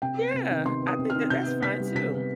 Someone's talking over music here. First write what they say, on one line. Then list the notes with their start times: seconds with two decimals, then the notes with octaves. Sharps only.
Yeah, I think that that's fine too.
0.02 C3 G5
0.18 B3
0.34 C3
0.51 D#3
0.66 C3 C6
0.82 B3
0.87 D#6
0.99 C3
1.10 F6
1.15 D#3
1.30 C3 G6
1.46 B3
1.62 C3 B6
1.79 G3
1.95 C3 B6
2.12 B3